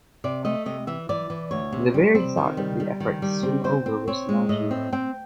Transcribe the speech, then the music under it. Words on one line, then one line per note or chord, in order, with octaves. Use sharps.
The very thought of the effort to swim over was nauseating.
C3 D5
A3 D#5
C3 D#5
E3 E5
E3 D5
E3
D2 C#5
C3
G3
C4
D#3
G3
G3
D#3
G3
C4
C4 C5
C4
C4 C#5
G#3
A2 D#5
C4
C4 G5